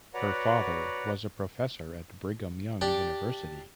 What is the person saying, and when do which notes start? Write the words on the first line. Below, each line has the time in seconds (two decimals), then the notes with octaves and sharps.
Her father was a professor at Brigham Young University.
0.14 F#4 B4 C#5 D5 F#5 A#5
2.81 D4 G4 D5